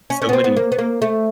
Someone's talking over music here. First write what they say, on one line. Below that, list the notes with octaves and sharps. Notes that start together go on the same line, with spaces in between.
so many
C#4
C#4
B3
C4
B3
A#3
B3
A#3
A3